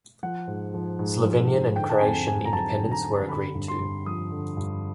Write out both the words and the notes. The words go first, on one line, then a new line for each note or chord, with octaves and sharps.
Slovenian and Croatian independence were agreed to.
F3 F#5
G#2
F3
G#2
F3
G#2
D3 G5
A5
F2 G#5
F2 G#5
A#5
F#3 A5
D3
A#5
F2
D3 B5
G2
C6
G2
F3 D#6
D3
G2